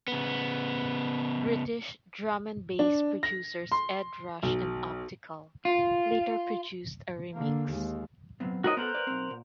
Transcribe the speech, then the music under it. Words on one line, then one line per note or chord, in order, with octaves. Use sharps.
British Drum 'n' Bass producers Ed Rush and Optical later produced a remix.
C#3 B3
D4
A#6
C6
B1
F4
D3 A#3
D#2 G#3
F#3 B3 C4
D#4 F#4 A#4 C5 C#5 D#5
B3 A4 A#4 C5 F#5
B4 D5
B1 C4
A#2